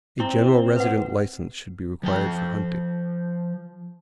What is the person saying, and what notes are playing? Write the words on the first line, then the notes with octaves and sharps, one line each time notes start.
A general resident license should be required for hunting.
C4 E4
B4 F#5
F3 G5